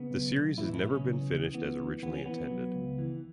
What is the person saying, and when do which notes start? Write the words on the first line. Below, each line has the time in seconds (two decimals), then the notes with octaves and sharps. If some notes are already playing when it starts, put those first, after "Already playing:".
The series has never been finished as originally intended.
Already playing: C#3 B3
0.10 B1
0.34 B1
0.58 A2 E3 E4
0.74 E3 E4
0.83 B1 B3
0.90 C#3 C#4
1.06 E3
1.31 E3
1.54 E3 B3
1.78 E3
2.03 E3 B3
2.14 C#4
2.26 E3 B3
2.51 F#3
2.74 C#2
2.99 E3